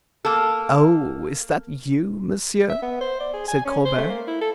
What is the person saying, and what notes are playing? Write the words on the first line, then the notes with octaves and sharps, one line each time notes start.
"Oh! is that you, monsieur?" said Colbert.
A#3 A4
E5
B3
C5
D5
G#4
G#5
C#4
C5
A3
A#3
E4
A4